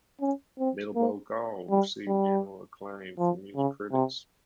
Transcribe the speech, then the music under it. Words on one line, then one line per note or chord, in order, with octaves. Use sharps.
"Mellow Gold" received general acclaim from music critics.
C#4
C4
A#3
G3
G3
F3
C#3
C3